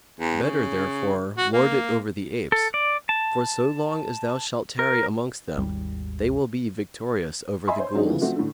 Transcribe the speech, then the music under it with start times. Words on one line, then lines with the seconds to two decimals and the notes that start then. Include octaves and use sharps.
Better therefore lord it over the apes, for so long as thou shalt tarry amongst them they will be victorious over the Ghuls.
0.20 E2
0.43 C#3
1.38 F#4
1.53 A#3
2.52 A4
2.74 D5
3.09 A5
4.79 A#4
5.57 G#1 D#2 G3
7.67 D#5 E5 G#5 B5 C6
7.79 C5 C#5
7.94 D#3 F#3 G#3 D4 D#4
8.07 C#3 E3 F3 A3
8.22 F3 A3 C4 F#4
8.36 A2 D3